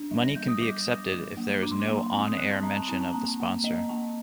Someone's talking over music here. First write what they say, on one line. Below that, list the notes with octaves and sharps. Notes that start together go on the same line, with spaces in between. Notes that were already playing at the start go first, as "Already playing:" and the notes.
Money can be accepted if there is no on-air mention of the sponsor.
Already playing: D4
G3
A#6
G3 G6
D#6
G3 D6
G3
F#3 D6
A#3
D4 D6
C6
D6
A#3
C6
C4 C6
D#6
G3 F#6
A5
G3 A#5
A5
C4 A#5
A5
A#3 A#5
A5
A#3
A#3 D#5
A#3 A5